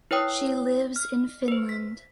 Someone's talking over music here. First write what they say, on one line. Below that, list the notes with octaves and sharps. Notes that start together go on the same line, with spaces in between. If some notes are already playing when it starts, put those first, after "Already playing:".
She lives in Finland.
E4 B4 C#5 G5 D#6
F6
B4 C5
B6